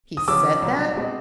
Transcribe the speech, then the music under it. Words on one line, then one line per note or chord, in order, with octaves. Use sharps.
"He said that?"
D#6
E2 C#3 F3 D6 E6
C2 A#2 F#3
B2 G#3 C4